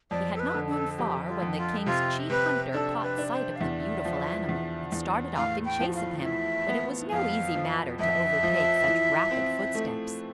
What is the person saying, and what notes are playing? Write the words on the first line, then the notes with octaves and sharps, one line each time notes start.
He had not run far when the king's chief hunter caught sight of the beautiful animal, and started off in chase of him; but it was no easy matter to overtake such rapid footsteps.
F2 D5
A4
B4
D3
A4
F2 G4
F4
F2
F4
C3 F4
C3 B4
D4 A4
B4
D4
C5
F5
E2 E5
F3
E2
E2
A2 F5
G5
F3
F5
E4 E5
B3
F2 F5
F3
F2 E5
F3
E3
C4
A3